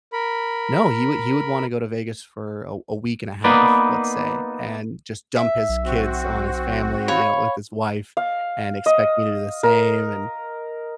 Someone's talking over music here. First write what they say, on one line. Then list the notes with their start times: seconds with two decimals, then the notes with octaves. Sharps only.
no, he would he would wanna go to Vegas for a a week and a half, let's say, and just dump his kids on his family, you know, with his wife and expect me to do the same, and,
0.13 A#4 B5
3.44 A#3 B3 D#4 B4 D5
5.36 E5
5.69 B1
5.85 C4 F#4
7.08 C#5 F5 B5
8.17 F5
8.86 D#5
9.63 A#4